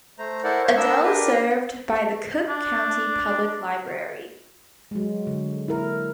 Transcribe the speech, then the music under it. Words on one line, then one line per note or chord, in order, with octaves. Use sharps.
Adel is served by the Cook County Public Library.
A3 C5 A#5
E4 A4 A#4 C5 D5 F#5
C5 C#5
B3 D4 A#4 E6
D4 G4 A#4 B4
D4
F#3 G#3
D3
E4 A#4